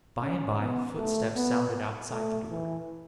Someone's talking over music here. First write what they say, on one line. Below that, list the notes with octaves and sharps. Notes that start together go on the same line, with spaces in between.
By and by footsteps sounded outside the door.
C#4
B3
A3
B3
A3
E3